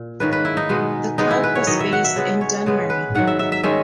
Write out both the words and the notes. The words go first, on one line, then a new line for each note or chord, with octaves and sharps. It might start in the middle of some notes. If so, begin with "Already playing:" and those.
The club was based in Dunmurry.
Already playing: A#2
G#2 D#3 A#3 C#4 B4
B4
E4
D#4
B2 G#3 B3
D#3 G#3 B3 D#4
E4
B4
C#5
D#3 F#3 B3 D#5
E5
F#5
E5
C#3 G#3 B3
C#5
C#3 G#3 B3
B4
G#2 D#3 F#3 F#5
E5
E5
E5
D#3 G#3 C#4 E5